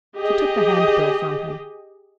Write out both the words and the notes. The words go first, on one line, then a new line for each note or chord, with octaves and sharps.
She took the handbill from him.
G4 G#4 D#5